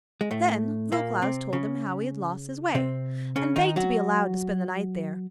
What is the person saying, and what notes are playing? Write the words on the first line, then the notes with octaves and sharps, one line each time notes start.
Then Little Klaus told him how he had lost his way, and begged to be allowed to spend the night there.
G#3
A2 A3
A#2 A#3
C3 C4
C#3 C#4
C3 C4
C#3 C#4
D#3 D#4
F#3 F#4